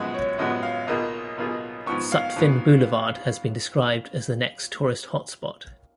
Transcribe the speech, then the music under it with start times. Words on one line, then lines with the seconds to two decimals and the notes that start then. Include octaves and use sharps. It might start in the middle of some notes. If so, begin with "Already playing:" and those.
Sutphin Boulevard has been described as the next tourist hot spot.
Already playing: F#2 F3 G#3 B3 F#4
0.14 C#5
0.38 F#2 F3 G#3 B3 F#4 D#5
0.63 F5
0.87 B1 B2 A#3 F4 G#4 D#5
1.37 B1 B2 A#3 F4 G#4
1.86 G#2 F3 B3 C#6
2.12 F5
2.36 G#2 F3 B3